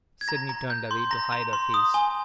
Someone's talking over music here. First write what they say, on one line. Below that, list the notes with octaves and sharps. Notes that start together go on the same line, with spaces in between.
Sydney turned away to hide her face.
G#6
A#5 A#6
A#5
G6
C6
A#5 A#6
A#5
C6
D#6
G#5 G7